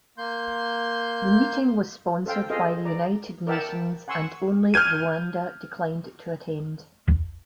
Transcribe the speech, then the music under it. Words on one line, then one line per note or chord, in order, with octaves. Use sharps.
The meeting was sponsored by the United Nations, and only Rwanda declined to attend.
A#3 C6 G6
A4 C5 F5 G5
F4 G#4 A4 C5 D#5 F5
D5 A#5
A#4 D5 E5 F#5 G5 A5
F#5 G#5 C6 C#6 E6
F6 G6 G#6 D#7